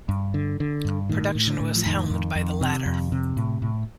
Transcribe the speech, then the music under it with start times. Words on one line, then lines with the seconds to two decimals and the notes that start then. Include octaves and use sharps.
Production was helmed by the latter.
0.09 G2
0.34 D3
0.60 D3
0.85 G2
1.09 A2 D#3
1.35 A2
1.47 D3
1.60 A2
1.75 F3
1.86 F2 D#3
2.10 F2
2.36 F2
2.61 C3
2.86 F2
3.12 C3
3.37 A2
3.62 A2